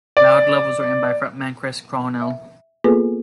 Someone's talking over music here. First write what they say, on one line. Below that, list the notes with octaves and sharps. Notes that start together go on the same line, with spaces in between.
"Loud Love" was written by frontman Chris Cornell.
D5
E5
A#3 B3 F4 G#4 A4 B4